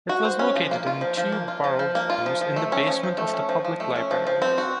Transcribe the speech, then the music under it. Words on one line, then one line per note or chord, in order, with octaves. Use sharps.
It was located in two borrowed rooms in the basement of the public library.
F#4
C5
C#4
F3
A#3
F4
F3
F3
A#3
F4
F3
F3
A#3
F4
F3
F3
A3
C#4
F3
F3
A3
C#4
F3
F3
A3
C#4
F3
F3
C4
F#4